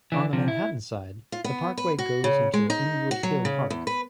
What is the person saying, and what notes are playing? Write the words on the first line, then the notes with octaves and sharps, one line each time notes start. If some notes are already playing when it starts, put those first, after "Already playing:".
On the Manhattan side, the parkway goes into Inwood Hill Park.
E3 D4
C3 F3
E4
F4
B3
B4
F#4
C#3
G#3
D#4
F#4
F#3
C#3
E2
B4